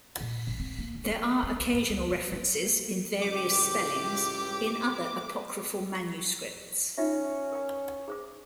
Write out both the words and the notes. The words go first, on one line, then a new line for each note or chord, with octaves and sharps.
There are occasional references, in various spellings, in other apocryphal manuscripts.
A#2
A1
C4
A#3
E1
F#3
C#4
C2
G#2
C#2
B2
F#3
C#2 A2 G4 D6
C#4 D#4 F4 E5
A#4 G5
G#4 C5 D6